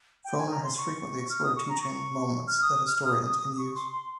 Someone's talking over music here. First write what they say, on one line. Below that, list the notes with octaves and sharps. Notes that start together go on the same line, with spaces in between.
Foner has frequently explored teaching moments that historians can use.
G5
G#5
A#5
C6
C#6
F6
D#6
C#6
A#5
C#6
F6
D#6
F6
F6
D#6
D#6
D#6
D#6
C#6
C6
C6